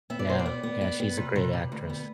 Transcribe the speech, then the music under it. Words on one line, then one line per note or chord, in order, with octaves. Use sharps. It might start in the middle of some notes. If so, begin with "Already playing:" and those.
Yeah, yeah, she's a great actress.
B3 E5
D5
B2 C5
D5
B3
B3
B3
B3
C3 B4
C3
C3
D2
B3